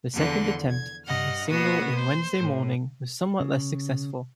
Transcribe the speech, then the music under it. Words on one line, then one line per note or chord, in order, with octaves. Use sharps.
A second attempt at a single in "Wednesday Morning" was somewhat less successful.
E2 D3 F3 C6 F#6
G#6
G2 D#5 F#5 F6
B2 A#3 B3 F#4 D#6
C5
A2
C#3